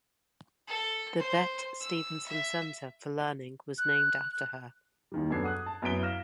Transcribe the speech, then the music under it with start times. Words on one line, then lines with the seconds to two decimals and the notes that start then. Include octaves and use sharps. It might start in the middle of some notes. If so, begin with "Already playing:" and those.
The "Bette Stephenson Centre for Learning" was named after her.
0.67 A4
1.18 C5
1.81 E6
2.28 E5
3.78 F#6
5.12 D#2 D#3 G3
5.30 F#2 B3 D4 A4 G#6 C7
5.43 F#5 D#6 F#6
5.66 A5
5.82 F#2 B3 E4 B6 D7 G7
6.02 F5 F6 A#6 E7